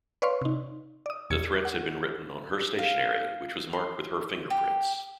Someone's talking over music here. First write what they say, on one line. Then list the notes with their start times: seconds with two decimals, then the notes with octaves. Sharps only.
The threats had been written on her stationery, which was marked with her fingerprints.
0.22 B4 C#5 D5 F5 C6 C#6
0.42 C3 D#4
1.06 D5 D#6
1.30 E2 B2 G#6 C#7
1.65 F#5
2.79 F5
3.73 C6
4.50 G4